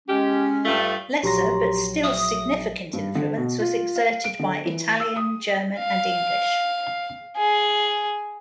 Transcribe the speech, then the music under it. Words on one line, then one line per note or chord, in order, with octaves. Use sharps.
Lesser but still significant influence was exerted by Italian, German and English.
G#3 C#4 G4
G2 A3 F4
A#1 F#3 G4 A#5 C6 A#6
E5 D#6
G2
D3
B2
F4
F5
D7
D3
E3
E6
D#6
F5
G#4